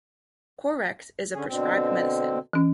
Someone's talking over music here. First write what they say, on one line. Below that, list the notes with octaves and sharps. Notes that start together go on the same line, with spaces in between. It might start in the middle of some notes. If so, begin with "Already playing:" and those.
Corex is a prescribed medicine.
D3 C#4 G#4
B2 D3 C4
E3 C#4